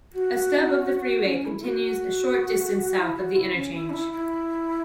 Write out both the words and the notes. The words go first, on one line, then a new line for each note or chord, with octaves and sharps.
A stub of the freeway continues a short distance south of the interchange.
F#4
C#4
E4
E4
F#4
E4
F#4
E4
C#4
E4
C#4
E4
E4